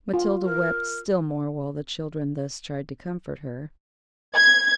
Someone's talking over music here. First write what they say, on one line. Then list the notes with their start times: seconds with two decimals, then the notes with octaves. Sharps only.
Matilda wept still more while the children thus tried to comfort her.
0.14 F4
0.44 A#4
4.35 G#6